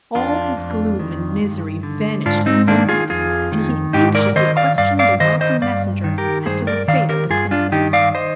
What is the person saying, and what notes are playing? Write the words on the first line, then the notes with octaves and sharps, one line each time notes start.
All his gloom and misery vanished in a moment, and he anxiously questioned the welcome messenger as to the fate of the princess.
F2 D4 F4
F2
D#3
G2
D3
G#2 D4 F4
C4 D#4
D#3 A#3 D4
F4 G#4
F2 F4 G#4
D#3
G#2 D#4 G4
A#4 D5
D#3 C5 D#5
D5 F5
G2 D5 F5
D5 F5
D#3 C5 D#5
C5 D#5
G2 D5 F5
D#3
G4 A#4
G2 G#4 C5
A#4 D5
D#3 D5 F5
G4 A#4
G2 F4 G#4
D4 F4
D#3 D#4 G4
D5 F5
C5 D#5